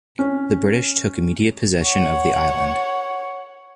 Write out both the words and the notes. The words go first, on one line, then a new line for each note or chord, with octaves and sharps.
The British took immediate possession of the island.
C#4
C#5 F#5